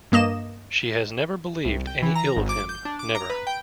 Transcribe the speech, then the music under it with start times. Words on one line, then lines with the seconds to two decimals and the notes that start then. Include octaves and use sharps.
She has never believed any ill of him, never.
0.12 G2 A#3 D#5 E7
1.65 C2
1.87 G5
2.02 E3
2.15 A#5
2.36 G#1
2.49 D6
2.69 G6
2.85 D4
2.99 D6
3.15 A#5
3.30 B4
3.47 G5